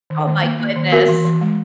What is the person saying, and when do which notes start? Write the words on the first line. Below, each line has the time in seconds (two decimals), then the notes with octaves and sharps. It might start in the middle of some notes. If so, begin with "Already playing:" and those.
Oh my goodness.
0.10 D#3
0.27 D#3
0.43 A#3
0.59 A#3
0.76 D#3
0.92 B3 F#4 A#4
1.08 E3
1.25 E3
1.41 G#3